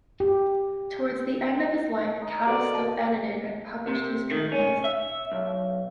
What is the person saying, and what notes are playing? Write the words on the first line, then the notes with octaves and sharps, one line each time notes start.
Towards the end of his life, Cattell still edited and published his journals.
G4
D#4
F#4 A4 C5 D5
A5
C3
D#3
C#4
E5
B1